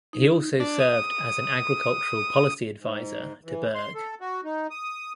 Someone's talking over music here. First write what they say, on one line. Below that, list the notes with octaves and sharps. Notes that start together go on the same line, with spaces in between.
He also served as an agricultural policy advisor to Berg.
D#4
D4
D#6
G#2
E3
C6
A4
F#4
D#4
D#6